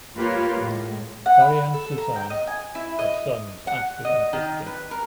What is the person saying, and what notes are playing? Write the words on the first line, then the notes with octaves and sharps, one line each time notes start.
Barry and Suzanne had sons, Ashley and Christian.
A#3 F4 G4 B4 C#5
A2 G#3
F#5
B5
A4
A#5
G5
D#5
G#5
E4
D#5
F#5
D#5
D#3
B4
A#4